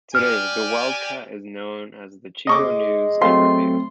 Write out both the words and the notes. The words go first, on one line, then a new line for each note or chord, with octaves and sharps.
Today, "The Wildcat" is known as the "Chico News and Review".
G4 D5 G#5 F6
G#3 D#5 C#6 D6
F#3 A3 C4 F4 C6